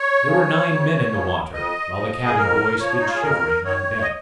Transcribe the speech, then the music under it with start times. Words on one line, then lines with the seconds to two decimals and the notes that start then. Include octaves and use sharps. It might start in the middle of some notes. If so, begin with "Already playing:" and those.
There were nine men in the water, while the cabin boy stood shivering on deck.
Already playing: C#5
0.27 C#3 F3
0.68 F2
1.11 C#3 F3
1.53 F2 D#5
1.96 F3
2.26 G#4
2.37 F2 A#4
2.80 F3 C#5
2.98 D#4
3.07 F4
3.15 G#4
3.23 F2 A#4
3.65 D#3 C#5
4.02 D#5